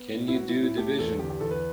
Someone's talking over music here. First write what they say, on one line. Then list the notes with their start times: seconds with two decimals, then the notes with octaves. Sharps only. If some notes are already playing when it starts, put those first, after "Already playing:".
Can you do division?
Already playing: B3
0.13 A2
0.28 E4
0.34 F#3 F#4
0.49 E4
0.56 A2
0.63 E4
0.77 A3 G4
0.98 E2 A4
1.19 D3 G4
1.30 G4
1.40 E2 A4
1.51 B4